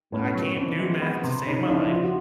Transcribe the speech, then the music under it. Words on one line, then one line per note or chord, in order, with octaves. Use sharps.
I can't do math to save my life,
A2 B3 C#4
F#3
E3 C4 D4
G#3
B3
C3
C#3 C#4 D#4
F3 D4 E4
C4 F4
F#4